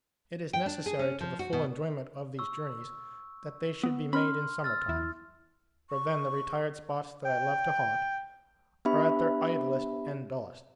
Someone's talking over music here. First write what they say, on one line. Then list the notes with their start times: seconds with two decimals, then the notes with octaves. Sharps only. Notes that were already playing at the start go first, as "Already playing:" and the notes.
It is necessary to the full enjoyment of these journeys that they should be made in summer-time, for then the retired spots that I love to haunt, are at their idlest and dullest.
0.53 G5
0.66 D4
0.86 G#4
0.99 C#4
1.21 F3
1.39 F#4
1.53 B2
2.39 C#6 E6
3.83 B3
4.13 C#4 B5 C6 F6
4.64 E6 F6 A6
4.88 E2 E4
5.90 C#6
7.25 G5
8.85 B3 D4 G4 E5 B5